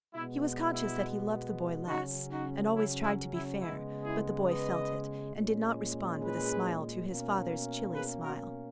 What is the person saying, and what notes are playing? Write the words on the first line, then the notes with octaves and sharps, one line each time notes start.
He was conscious that he loved the boy less, and always tried to be fair; but the boy felt it, and did not respond with a smile to his father's chilly smile.
B2 G#3 B3 E4
E4
C#3 F#3 C#4 D#4 F#4
D#4 F#4
E4
E4
E4
C#3 G#3 B3 E4
E4 G#4
B4 D#5
A#2 G#3 C#4
G#4 B4
B2 A#3 C#4
G#4 B4
F#4 A#4